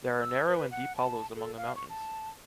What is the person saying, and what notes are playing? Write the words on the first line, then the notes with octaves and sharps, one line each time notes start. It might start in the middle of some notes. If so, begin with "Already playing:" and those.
There are narrow and deep hollows among the mountains.
E6
B4
F#5
A5
A4
F5
C#6
A5